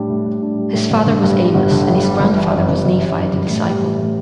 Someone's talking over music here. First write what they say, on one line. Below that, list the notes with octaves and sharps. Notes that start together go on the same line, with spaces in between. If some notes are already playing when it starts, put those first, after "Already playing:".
His father was Amos, and his grandfather was Nephi the Disciple.
Already playing: A2 G3 D4
A2
A2
D4
G3
A2
G1
D3
G2
G3
G1
D3
G2
G3
G1
E3
F#2
G1
G1
E3
F#2
G1
A2
G3
E3
A2